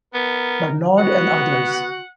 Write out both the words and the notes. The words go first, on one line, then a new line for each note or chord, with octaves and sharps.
Barnard and others.
B3 A#4
B3 F#4 F#5